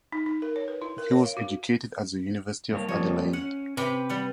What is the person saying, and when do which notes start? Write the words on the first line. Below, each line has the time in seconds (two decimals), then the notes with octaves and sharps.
He was educated at The University of Adelaide.
0.12 D#4
0.26 D#4
0.42 A#4
0.56 C#5
0.68 B4
0.82 E4
0.98 A#4
1.11 C#5
1.26 F5
1.37 F#4
2.71 G2 A#3 C#5
2.89 F3 G3 A#3 C#5
3.33 C#4 F#5
3.77 C3 G4 B4 B5
4.09 G3 F#5